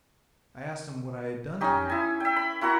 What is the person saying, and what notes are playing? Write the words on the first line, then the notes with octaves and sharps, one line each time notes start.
I asked him what I had done to him.
C#4 D#4 G4
E4 G#5
E5 G5
B5
E4 F#4 A#4 F#5